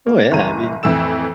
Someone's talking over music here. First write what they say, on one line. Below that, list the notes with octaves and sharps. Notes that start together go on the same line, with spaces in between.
Oh yeah, I mean
A#3
F#1 C2 E3 A#5 D#7
F2 A2 E3 A3 E6 E7